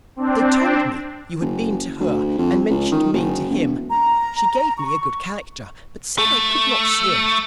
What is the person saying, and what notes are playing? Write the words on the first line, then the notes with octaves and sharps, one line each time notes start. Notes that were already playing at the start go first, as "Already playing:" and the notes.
'They told me you had been to her, And mentioned me to him: She gave me a good character, But said I could not swim.
C4 D4
F#1
D2
F2
C#2
D#3
F#1
E1
A#5
C#6
A3